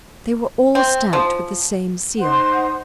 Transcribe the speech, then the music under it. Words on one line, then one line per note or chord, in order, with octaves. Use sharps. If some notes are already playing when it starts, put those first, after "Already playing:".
They were all stamped with the same seal.
C4
F3
D#4 C5 F#5 C6